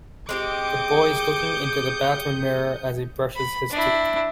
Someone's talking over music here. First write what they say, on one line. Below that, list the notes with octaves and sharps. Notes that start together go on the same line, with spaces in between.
The boy is looking into the bathroom mirror as he brushes his teeth.
G#3 C4 G4 D6 D#6 G6 C#7
B5
D4 E4